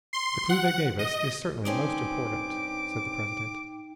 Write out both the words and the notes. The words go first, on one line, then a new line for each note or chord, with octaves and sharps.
"The clue they gave us is certainly most important," said the president.
C6
F#5
D#5
G2 C4 C#4 D#4 G5 D6